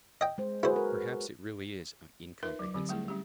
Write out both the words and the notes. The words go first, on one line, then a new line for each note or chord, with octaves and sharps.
Perhaps it really is incomprehensible.
D#5 G5
G#3 C5
E4 F#4 G#4 B4 C5
A#4
D#4 F4 A#4 B4 E5
F#3 D6
D3 F#3 C4 G4
G3 A3 E4 G#4
G3 C#4 G4